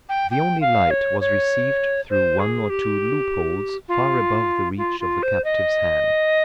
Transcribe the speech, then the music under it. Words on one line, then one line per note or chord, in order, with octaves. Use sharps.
The only light was received through one or two loop-holes far above the reach of the captive's hand.
G5
G5
F5
C#5
C#5
C5
G#4
G4
F4
F4
F4
C5
D#5